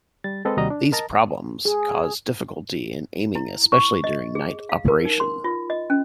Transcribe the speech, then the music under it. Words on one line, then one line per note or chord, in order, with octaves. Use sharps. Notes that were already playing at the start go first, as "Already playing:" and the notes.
These problems caused difficulty in aiming especially during night operation.
G3 A6
G#3 C4 A4 B4 D#5
D#2 C3 G3 F#4 D#5 A#5
D4
A#4 D#5 A5 A#5
G#4
E4
C#6
D#5
G#4
F5
A#4
D#4
C6
F4
D#5
C#4